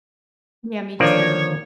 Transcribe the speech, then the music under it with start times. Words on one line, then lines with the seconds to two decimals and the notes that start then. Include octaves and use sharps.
Yeah, me too.
1.00 D3 D#3 F3 A#3 D4 C#5 D5